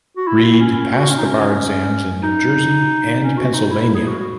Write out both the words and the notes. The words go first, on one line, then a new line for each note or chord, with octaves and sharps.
Reid passed the bar exams in New Jersey and Pennsylvania.
F#4
E4
C#4
C#4
F#4
C#4
D#4
C#4
D#4
C#4
F#4
D#4
E4
E4
G#4
F#4
F#4